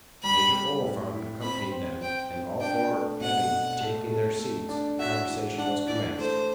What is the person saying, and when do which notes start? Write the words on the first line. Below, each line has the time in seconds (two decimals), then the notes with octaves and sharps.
Major Oliphant accompanied them, and all four having taken their seats, the conversation was commenced.
0.23 G3 B5
0.53 G3
0.83 A2
1.13 E4
1.42 C4 B5
1.72 C4
2.01 C4 G5
2.31 C4
2.60 D4 G5
2.91 A3
3.20 B2 F#5
3.51 B2
3.81 A3
4.10 A3
4.39 A3
4.69 D4
4.99 F#4 E5
5.29 E3
5.58 D4 F#5
5.87 E3 D5
6.18 A3 C5